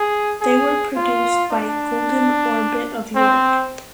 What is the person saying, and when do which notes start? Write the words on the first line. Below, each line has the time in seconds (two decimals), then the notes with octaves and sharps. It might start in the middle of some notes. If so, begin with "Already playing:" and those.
They were produced by Golden Orbit of York.
Already playing: G#4
0.41 G#4
0.96 F4
1.51 D4
3.15 C4